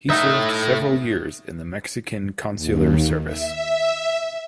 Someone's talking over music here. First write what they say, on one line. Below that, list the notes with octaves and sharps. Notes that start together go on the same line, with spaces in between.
He served several years in the Mexican consular service.
A2 D#4 E5 F#5
D#2
E5